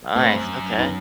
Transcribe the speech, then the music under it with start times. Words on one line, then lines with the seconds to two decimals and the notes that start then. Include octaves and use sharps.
Nice, okay.
0.15 A2 A3 C4
0.26 G2
0.36 F#2
0.78 B3 D#4